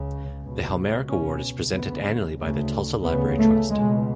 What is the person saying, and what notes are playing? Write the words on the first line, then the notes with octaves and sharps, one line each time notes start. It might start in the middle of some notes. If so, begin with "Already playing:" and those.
The Helmerich Award is presented annually by the Tulsa Library Trust.
Already playing: C#2 C#3
C#2 B2
C#2 B2 C#4
D2 C#3 B3
D2 C#3 A3
D2 C#3 B3
A3
C#2 B2 G#3